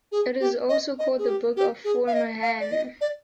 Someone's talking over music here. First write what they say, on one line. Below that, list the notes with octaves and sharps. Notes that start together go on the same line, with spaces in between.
It is also called the Book of Former Han.
G#4
G4
D#5
D#5
G#4
G4
G4
G#4
F5
D#5
F5
D5
D#5
D5